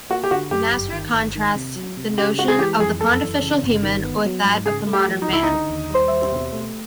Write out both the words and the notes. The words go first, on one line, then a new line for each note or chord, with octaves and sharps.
Nasr contrasts the notion of the pontifical human with that of the modern man.
A#3 F#4
G4
D3 F#4
F#2 G4
G1
D#3
G1
D#3
C3
F#3
C3
C#3 G4
G#3 F#4
G#4
E3 G4
F2 G#4
F#2 A4
E3
C#3
G1
D#3
B3
F#3
G#2
C#3 G#4
A3
G4
F3
D#4
C#2 E4
D#4
D3
D#2
G3
D#2
B2
A3